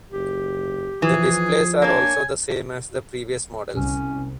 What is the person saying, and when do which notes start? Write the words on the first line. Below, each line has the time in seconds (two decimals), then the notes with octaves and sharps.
The displays are also the same as the previous models.
0.13 F#1 G4
1.02 E3 F3 G#4
1.82 A#3 D4 C#5 G#5
3.76 C2 C#4